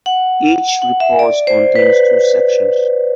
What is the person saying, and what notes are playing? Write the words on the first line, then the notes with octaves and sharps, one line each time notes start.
Each report contains two sections.
F#5
F#5
E5
D5
C5
B4